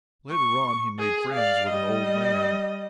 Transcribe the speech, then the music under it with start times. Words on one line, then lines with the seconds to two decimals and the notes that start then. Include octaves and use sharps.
Later on he made friends with an old man.
0.32 C#6
0.99 G#4
1.31 D5 F5
1.69 G3 D#5